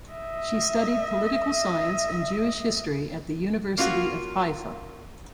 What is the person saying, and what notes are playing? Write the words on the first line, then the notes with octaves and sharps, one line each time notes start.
She studied political science and Jewish history at the University of Haifa.
D#5 E5
A#3 C#4 F4 F#4 F5